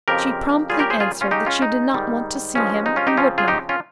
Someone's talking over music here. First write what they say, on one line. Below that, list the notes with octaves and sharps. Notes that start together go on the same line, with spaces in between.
She promptly answered that she did not want to see him and would not.
F2 C#3 F3 C4 G4 A#4
A#2 G3 C#4 F4 G#4
G4 A#4
G#4 C5
F4 G#4
C#4 F4
C#3 G#3 C#4 D#4 G4
C#4 F4
D#4
G#2 D#3 G3
G2 F3 G#3 C#4
D#4
C#4 F4
D#4 G4
C#3 F3 C4 C#4 F4
F4 G#4
D#4 G4
C#4 F4